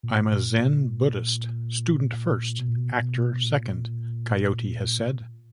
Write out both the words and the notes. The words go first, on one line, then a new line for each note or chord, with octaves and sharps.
"I'm a Zen Buddhist student first, actor second", Coyote has said.
A#2
A#2
A#2
B2
A#2
B2
A#2